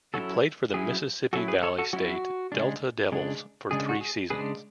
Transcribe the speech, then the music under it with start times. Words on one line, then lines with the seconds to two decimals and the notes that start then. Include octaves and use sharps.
He played for the Mississippi Valley State Delta Devils for three seasons.
0.14 F#3 C#4 E4 F#4 A4
0.74 F#3 C#4 E4 G#4
1.33 F#3 C#4 E4 F#4 A4
1.48 G#4 B4
1.63 A4 C#5
1.78 F#4 A4
1.93 F#3 C#4 E4 F#4
2.52 C#3 G#3 D4
3.12 C#3 G#3 D4
3.71 C#3 G#3 D4 G#4
3.89 F#4
4.01 G#4
4.30 C#3 G#3 D4 G#4 B4